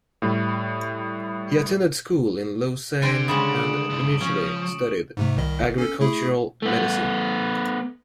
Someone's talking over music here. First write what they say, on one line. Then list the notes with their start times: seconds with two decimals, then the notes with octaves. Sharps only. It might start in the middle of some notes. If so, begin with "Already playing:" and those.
He attended school in Lausanne, and initially studied agricultural medicine.
0.22 A2 G3 A3
3.02 D3 C5 G5 G#5 C#7 D7
3.28 C#3 G3 G#3 D#6 E7 F#7
3.89 C2 G2
4.21 F3 C#4
4.56 C#6
5.17 G#2 C3 A3
5.37 C2 D#3 D#5
5.61 G1
5.78 C#4 A4
6.01 A3 E4 G#4
6.62 A3 B3